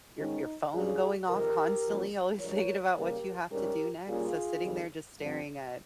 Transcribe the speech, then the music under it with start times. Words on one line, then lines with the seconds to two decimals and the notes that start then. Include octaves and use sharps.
your your phone going off constantly, always thinking about what you have to do next, so sitting there just staring at,
0.17 G#2 D#3 G#3 C#4 D#4
0.73 G2 G3 C#4 F4 G#4
1.29 F2 C3 D#3 G4 A#4
1.85 C#3 F3 A#3 C#4
2.40 G2 F3 G#3 A#4 C#5
2.96 C#3 G3 A#3 G4 A#4
3.51 G#2 G3 C#4 G4 A#4
4.07 A#2 G3 A#3 C#4 F4 G#4
4.63 F2 D#3 G3
5.19 G2 F3 C4